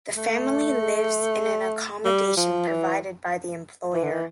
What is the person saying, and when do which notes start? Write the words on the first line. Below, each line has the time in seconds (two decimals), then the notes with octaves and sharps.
The family lives in an accommodation provided by the employer.
0.17 A3
2.05 G3
2.37 F3
2.68 E3
3.94 E3
4.03 D3
4.12 E3